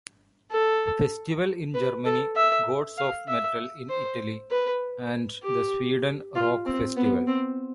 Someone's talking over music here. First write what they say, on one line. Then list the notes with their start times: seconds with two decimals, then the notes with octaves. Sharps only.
Festival in Germany, Gods Of Metal in Italy, and the Sweden Rock Festival.
0.51 A4
1.74 B4
2.05 A4
2.36 E5
2.98 F5
3.28 E5
3.89 C5
4.51 B4
5.44 G4
6.35 F4
6.66 C4
6.97 B3
7.27 C4